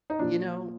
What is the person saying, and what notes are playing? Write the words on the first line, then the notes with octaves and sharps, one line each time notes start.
You know
D#4
A#2 F3 D4